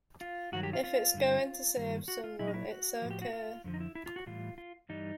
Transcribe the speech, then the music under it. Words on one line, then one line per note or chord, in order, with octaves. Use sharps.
If it's going to save someone, it's okay.
F4
G2 D#3 F#3 F#4
G4
F4
F4
G2 D3 G3
G2 D#3 G3
F#4
F4
A#2 F#3 E4
D#4
E4
F#4
A2 F3
G4
F#4
F4
F2 D3 F3
D#4
E4
E4
F4
F#4
A2 E3 G3 F4
F4
G2 E3 G3 D#4